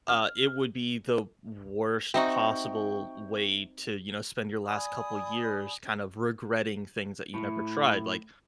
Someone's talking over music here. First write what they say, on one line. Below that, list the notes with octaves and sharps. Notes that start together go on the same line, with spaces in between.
uh, it would be the worst possible way to, you know, spend your last couple years kind of regretting things that you never tried, like,
F6
C4 D#4 F#4 E5 F#5 G5 C#6
D5 G#5 B5 D#6
A2